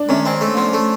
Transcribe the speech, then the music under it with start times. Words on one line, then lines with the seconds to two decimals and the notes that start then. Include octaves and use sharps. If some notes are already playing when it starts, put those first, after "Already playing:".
Then I don't know,
Already playing: D4
0.09 D#3 C#4
0.26 C4
0.41 A3
0.57 F3
0.73 A3